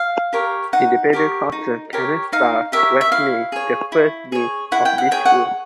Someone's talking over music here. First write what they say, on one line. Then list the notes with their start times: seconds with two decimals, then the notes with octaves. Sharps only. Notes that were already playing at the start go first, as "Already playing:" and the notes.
Independent Counsel Kenneth Starr was named the first dean of this school.
Already playing: F5
0.33 G4 A#4 C#5
0.73 D#4 F#5
1.13 G4 A#4 C#5
1.52 D#4
1.93 G4 A#4 C#5
2.32 D#4 F5
2.72 G4 A#4 C#5 E5
3.01 E5
3.12 E4 F5
3.52 G#4 C#5
3.92 E4
4.32 G#4 C#5
4.72 E4 F#5
4.85 G5
4.98 F#5
5.11 G#4 C#5 G5
5.25 F#5